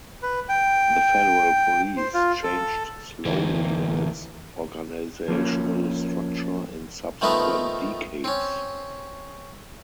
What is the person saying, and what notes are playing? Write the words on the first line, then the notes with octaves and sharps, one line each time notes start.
The Federal Police changed slowly in its organizational structure in subsequent decades.
B4
G5
C5
F4
A4
D2 E3
F3 A#3 C#4
D#3 F3 A3 B3 D#4 B4
C4 C#4